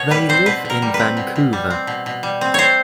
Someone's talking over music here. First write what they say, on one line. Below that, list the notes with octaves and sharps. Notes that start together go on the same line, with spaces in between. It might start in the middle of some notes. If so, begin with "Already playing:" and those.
They live in Vancouver.
Already playing: B2 C#5
G3 B4
C4 C5
B2 B4
B2 A#4
G3
B4
C4
B2
B2
G3
C4
B2
B2
G3
C4
C4 C5 C#5